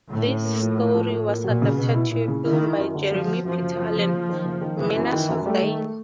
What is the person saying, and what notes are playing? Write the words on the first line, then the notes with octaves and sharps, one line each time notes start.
This story was adapted to a film by Jeremy Peter Allen, "Manners of Dying".
A2 D3
C#4
A#3
F3
A#3
F3
F3
A#3
A#2 F#3
C#3
B2 B3
E4
A#2 E4
C#3
D#3 E4
E4
F#2
D3
F3 F#3
F#3
F#2 F3
F#1
F#2
F#1
F#1
D#3
F#1
D#3
F#1 E3
F#2
D#3
F#2
G3 A3
D#3